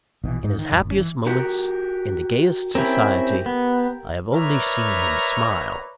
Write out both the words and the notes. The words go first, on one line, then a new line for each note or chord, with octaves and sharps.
In his happiest moments, in the gayest society, I have only seen him smile.
A#1 B2 D3 E3
G#2
D#3
D#1 F#2
F#1 C#4
E3
F#4 G4 A#4
C4 C#4 E4 G4 A#4
B3
A#4 B4 C#5 D5 E5 A#5